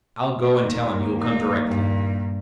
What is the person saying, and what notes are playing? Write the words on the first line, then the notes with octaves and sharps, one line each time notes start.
"I'll go and tell him you will come directly."
D#2 D#3 A#3
D#4
G2 A#2